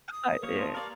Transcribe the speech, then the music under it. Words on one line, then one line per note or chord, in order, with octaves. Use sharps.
I yeah.
D#6
A#3 G4 B4 C#5
A5 A#5 C6
A#4 D5 F5